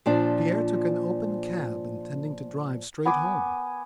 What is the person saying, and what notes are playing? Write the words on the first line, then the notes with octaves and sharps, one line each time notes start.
Pierre took an open cab intending to drive straight home.
A#2 F3 D4
B3 G#5 D6